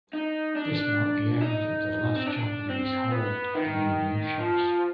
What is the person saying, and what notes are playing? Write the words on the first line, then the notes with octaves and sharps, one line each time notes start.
This marked the end of the last Japanese hold in the Aleutians.
D#4
D4
D#4
C4
D4
C4
B3
D#3
F3